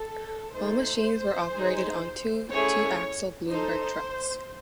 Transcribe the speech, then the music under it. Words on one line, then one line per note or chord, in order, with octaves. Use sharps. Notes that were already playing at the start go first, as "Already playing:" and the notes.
All machines were operated on two two-axle Bloomberg trucks.
Already playing: A4
A3 D#4 A4 C5
D#4 G#4
A3 C#4 E4 G#4 C#5
D#4 A4 C5